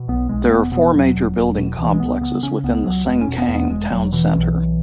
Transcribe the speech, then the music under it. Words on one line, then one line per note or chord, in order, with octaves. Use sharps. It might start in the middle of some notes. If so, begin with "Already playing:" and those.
There are four major building complexes within the Sengkang Town Centre.
Already playing: B2
B1 B3
B1 G#3
E1 B3
B2 B3
E2 F#3
E1
E1
B2
C#2 E3
G#3
C#2 B3
C#3 B3
C#3 C#4
C#2 B3
C#2 F#3
E1 G#3
C#4
B2
B3
E2
B3
E1 G#3
E1 F#3
B2 E3
B1
B1